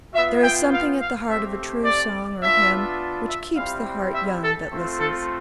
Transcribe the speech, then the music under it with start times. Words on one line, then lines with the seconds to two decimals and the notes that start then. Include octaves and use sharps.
There is something at the heart of a true song or hymn which keeps the heart young that listens.
0.14 F4 E5
0.18 B3
0.42 G5
0.71 F5
0.99 F5
1.28 A3 C4 G4 E5
1.85 D5
2.42 B3 D4 F4 E5
3.28 E5
3.56 G3 C4 E4 F5
4.13 E5
4.42 A4
4.70 A3 C4 F4
4.98 A4